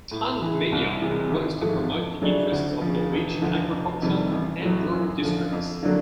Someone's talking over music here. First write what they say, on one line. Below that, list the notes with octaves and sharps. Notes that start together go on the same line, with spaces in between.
Tun Media works to promote the interests of Norwegian agriculture and rural districts.
A2
E3 G#3
C2
C3 E3 G#3
G#1
G#2 F3 A3
F2
C#3 F#3 A3 D4
D2
C#3 F3
E1
D2 D3 F3
F1
F2 C3 D#3 G3
A1
A2 F#3
F#2
D3 F3
F2
D3 F#3 A#3 D4